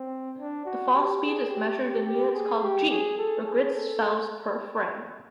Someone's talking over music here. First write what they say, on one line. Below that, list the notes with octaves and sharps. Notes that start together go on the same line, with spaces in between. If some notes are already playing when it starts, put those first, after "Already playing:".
The fall speed is measured in units called G, or grid cells per frame.
Already playing: C4
D4
F#4
G4
G#4
G4
G4
G4
G#4
G4
G#4
A4
G#4
A4